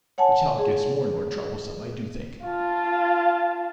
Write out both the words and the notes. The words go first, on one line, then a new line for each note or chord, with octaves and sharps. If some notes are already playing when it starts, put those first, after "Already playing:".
The child gets more and more troublesome, I do think.
C#5 F#5 G#5 A5
G#4
F4 A5